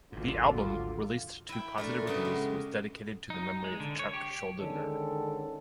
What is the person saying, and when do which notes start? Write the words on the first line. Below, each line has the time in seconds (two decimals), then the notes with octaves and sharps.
The album, released to positive reviews, was dedicated to the memory of Chuck Schuldiner.
0.12 G#1 D2 G#2 D3 F#3 F4
1.49 E4 G5
1.78 A3 D4 A#4
2.07 C#3 F#3 B3 G4
2.25 G#3
3.30 D#4
3.64 G#3
3.80 D3
3.99 C#5
4.14 G4
4.58 D3 D#3 G#3 C#4 A4